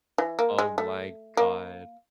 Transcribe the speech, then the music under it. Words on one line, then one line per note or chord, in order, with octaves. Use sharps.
Oh my god.
E3
A#3
G#3
A3
A#3